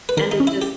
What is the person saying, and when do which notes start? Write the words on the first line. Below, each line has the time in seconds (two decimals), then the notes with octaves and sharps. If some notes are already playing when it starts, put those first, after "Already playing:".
and it just
0.09 B4
0.17 D#3 A#4
0.32 D#4
0.40 C#4
0.47 E4
0.62 G4